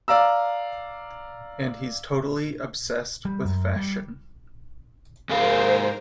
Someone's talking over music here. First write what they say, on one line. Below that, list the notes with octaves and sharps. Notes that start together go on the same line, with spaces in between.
And he's totally obsessed with fashion.
D5 F5 A#5 E6
G3
F#2
G3
G#2 G#4 A#4 C5 F5